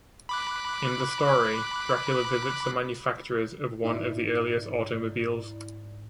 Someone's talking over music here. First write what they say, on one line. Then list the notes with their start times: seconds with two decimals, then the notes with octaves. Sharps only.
In the story, Dracula visits the manufacturers of one of the earliest automobiles.
0.29 B5 D6 F#6
3.84 G#2 D#4 E4 D5